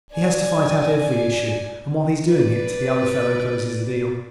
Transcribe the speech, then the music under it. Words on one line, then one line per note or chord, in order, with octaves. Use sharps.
He has to fight out every issue and while he is doing it the other fellow closes the deal.
D5 G#5
B4 D5